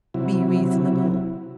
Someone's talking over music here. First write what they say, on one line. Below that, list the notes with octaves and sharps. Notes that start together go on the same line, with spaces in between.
Be reasonable.
C3 F#3 E4